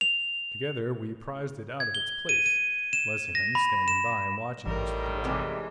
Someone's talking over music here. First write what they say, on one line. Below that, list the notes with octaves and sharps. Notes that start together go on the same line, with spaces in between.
Together we prised it out of its place,--Lessingham standing by and watching us the while.
F7
G#6
G7
D#7
D#7
E7
A#6
B5
E7
A1 A2 D#3 G3 A#4
C3 E3 G#3